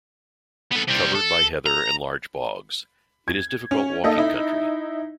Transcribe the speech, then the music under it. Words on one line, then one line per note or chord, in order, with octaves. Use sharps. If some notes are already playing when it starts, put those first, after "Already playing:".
Covered by heather and large bogs, it is difficult walking country.
B3 A4
C3 G3
A4
A#5
G#6
C#4
A#3 D#4 A4 D#5 E5
D#4 E4